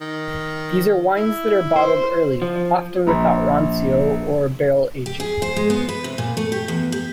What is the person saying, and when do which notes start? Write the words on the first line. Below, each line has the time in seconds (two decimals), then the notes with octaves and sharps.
These are wines that are bottled early, often without "rancio" or barrel aging.
0.01 D#3
1.17 E4
1.76 C5
2.42 F3
3.07 A#1 A#5 B5
5.06 G4
5.20 G#4
5.42 C5
5.56 G#3
5.70 B3
5.89 B4
6.04 C3
6.18 A#2
6.37 A3
6.52 G4
6.68 E2
6.92 G4